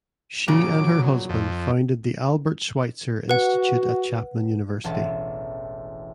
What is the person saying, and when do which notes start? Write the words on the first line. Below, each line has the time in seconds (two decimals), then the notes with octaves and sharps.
She and her husband founded the Albert Schweitzer Institute at Chapman University.
0.48 G2 A#2 C#3 F#3 D6
1.29 F2
3.29 F#4 B4 F#5
4.84 E1 A1 A5